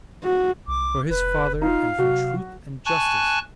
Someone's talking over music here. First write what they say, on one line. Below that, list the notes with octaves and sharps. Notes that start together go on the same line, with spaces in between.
For his father and for truth and justice.
F#4
C2 D6
F1 B4
D#4 F4 F5
C3 F#3 F#4
G#5 A5 C#6 F#6